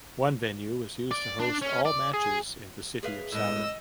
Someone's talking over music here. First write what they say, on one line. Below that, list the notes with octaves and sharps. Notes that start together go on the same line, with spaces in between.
One venue was used to host all matches in the city of Saly.
D5
D4
C#4
D5
G#4
G#4 B4 F5
A2 G#3 B3 D#5 E6